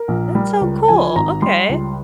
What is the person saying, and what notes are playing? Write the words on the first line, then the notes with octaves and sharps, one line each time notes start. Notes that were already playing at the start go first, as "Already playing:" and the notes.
That's so cool, okay.
Already playing: A#4
A#1
G3
C#2
F3 G#5
G#1 A#5
G3 C6
C#2